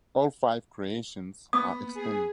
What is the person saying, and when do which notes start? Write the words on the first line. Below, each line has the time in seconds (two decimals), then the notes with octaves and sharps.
All five creations are extinct.
1.53 A#3 B3 D#6
1.95 G#4